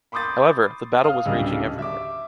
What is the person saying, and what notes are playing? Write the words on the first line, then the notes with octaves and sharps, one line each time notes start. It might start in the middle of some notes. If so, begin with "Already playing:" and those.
However, the battle was raging everywhere.
B5 C6 D6 D#6 G6 A6
F5 D#6 F6
D1 C#3 G3 D4 D#5 E6
E5 D6